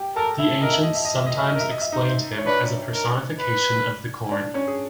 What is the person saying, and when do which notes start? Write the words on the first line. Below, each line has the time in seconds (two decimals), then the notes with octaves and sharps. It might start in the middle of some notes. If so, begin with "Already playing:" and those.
The ancients sometimes explained him as a personification of the corn.
Already playing: G4 G5
0.16 A4 A#4 A5
0.38 E4 E5
0.62 A#4 D#5
0.73 E5
0.84 D#5
0.95 E5
1.05 D#5
1.17 E5
1.27 D#5
1.38 E5
1.48 D#5
1.55 A#4
1.60 E5
1.71 D#5
1.81 E5
1.92 D#4 D#5
2.01 C5
2.38 C#5
2.46 D4 B4 D5
2.94 A#4
3.40 B4
4.31 D4 D5
4.54 C#4 C#5
4.68 G#4